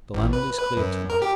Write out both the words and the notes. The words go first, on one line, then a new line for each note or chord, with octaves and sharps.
The land is clear to-night.
A1
B4
B4
F#2
A#4
G4